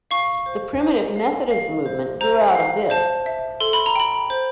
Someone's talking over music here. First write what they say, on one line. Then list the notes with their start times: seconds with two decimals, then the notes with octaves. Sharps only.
The Primitive Methodist movement grew out of this..
0.11 F5 C#6
0.46 C5
0.80 C5
1.16 F5
1.51 F5
1.86 C5
2.21 C5 A#5
2.55 F5
2.90 C5 A5
3.26 E5
3.60 A4 C6
3.73 B5
3.86 A#5
3.96 G5 B5
4.30 C5